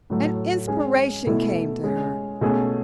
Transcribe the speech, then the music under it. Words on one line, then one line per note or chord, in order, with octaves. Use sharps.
An inspiration came to her.
A2 F#3 A3
G#3 C#4 G#4
B2 A3 E4 A4
G#3 C#4 G#4
B2 A3 C#4 G#4